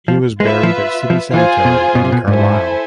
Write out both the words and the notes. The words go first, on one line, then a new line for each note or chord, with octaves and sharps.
He was buried at City Cemetery in Carlisle.
F3
G#3 F4 B4 E5
F3
F3
E3 F4 G#4 C5 G#5
B2
B2
C3
B2
G#2 E4 A4 C5 E5 G#5